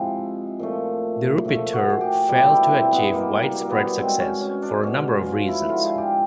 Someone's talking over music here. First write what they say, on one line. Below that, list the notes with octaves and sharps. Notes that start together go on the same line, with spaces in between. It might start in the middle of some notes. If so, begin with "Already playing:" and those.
The Ruputer failed to achieve widespread success, for a number of reasons.
Already playing: C3 F3 G#3 E4
A#2 F3 A3
A#2 F3 A3
F#4
G#4
G4
B2 G3 G4
E4
C4
B3
B2 G3 A#3
A#3
A#3
B3
B2 G#3 C4
C#4
C#4
D4
B2 G#3 C#4
F4
E4
D3 F3 G#3 F4
G#4
G4